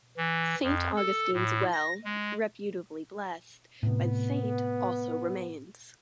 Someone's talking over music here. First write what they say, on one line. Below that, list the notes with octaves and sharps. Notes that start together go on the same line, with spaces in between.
Saint Augustine's Well, reputedly blessed by the saint, also remains.
E3
F2
A4
A2
A#6
G#3
A2 C3 B3